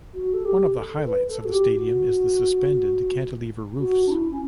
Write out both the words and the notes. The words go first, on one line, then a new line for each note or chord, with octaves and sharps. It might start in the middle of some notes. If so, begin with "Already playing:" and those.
One of the highlights of the stadium is the suspended cantilever roofs.
F#4
A4
G4
A4
B4
A4
F#4
G4
F#4
F#4
D4
E4
C#4